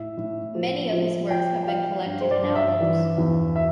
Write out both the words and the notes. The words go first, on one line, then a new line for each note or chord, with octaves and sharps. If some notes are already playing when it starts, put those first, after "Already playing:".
Many of his works have been collected in albums.
Already playing: A2 E5
A2
F3
F3
F3 G5
G5
F3 F5
G2
C5
D5
G2
E5
E3
E2
E5